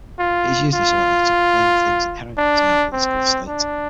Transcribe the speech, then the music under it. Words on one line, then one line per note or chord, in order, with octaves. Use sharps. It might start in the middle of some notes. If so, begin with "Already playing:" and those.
It is useless however, to complain of things inherent in our political state.
F4
F4
D4
C4
D4